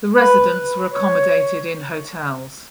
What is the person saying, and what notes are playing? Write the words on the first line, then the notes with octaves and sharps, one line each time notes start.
The residents were accommodated in hotels.
B4
C#5